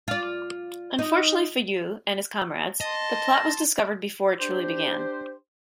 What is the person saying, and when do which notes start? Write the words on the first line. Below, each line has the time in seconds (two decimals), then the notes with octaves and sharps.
Unfortunately for Yui and his comrades, the plot was discovered before it truly began.
0.08 F4 D5
0.99 D#4
2.81 D#5 A5 C6
3.24 A#6
4.39 D4 G4 C5